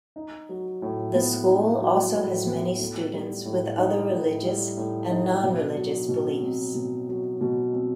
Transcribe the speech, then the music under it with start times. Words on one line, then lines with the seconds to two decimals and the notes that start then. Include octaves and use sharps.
The school also has many students with other religious and non religious beliefs.
0.16 D#4
0.49 F#3
0.82 A2
1.15 B3
1.48 D#4
1.81 F#3
2.14 A2
2.46 B3
2.80 A2
3.12 G3
3.45 A2
3.78 D#4
4.11 A2
4.45 G3
4.77 A2
5.10 D#4
5.43 B2
5.76 F#3
6.09 B2
6.42 C4
6.75 B2
7.08 F#3
7.41 B2
7.74 C4